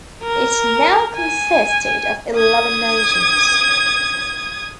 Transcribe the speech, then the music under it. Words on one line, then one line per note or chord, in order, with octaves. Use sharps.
It now consisted of eleven nations.
A#4
G#5
D#6 G#6